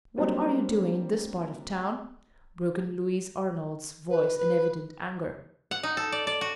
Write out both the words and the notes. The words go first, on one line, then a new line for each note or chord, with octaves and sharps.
"What are you doing in this part of town?" broke in Louis Arnold's voice in evident anger.
F#3 G3 A#3 C4 D4
B4
B4
F#5
D#4
A4
D5
D5
F#4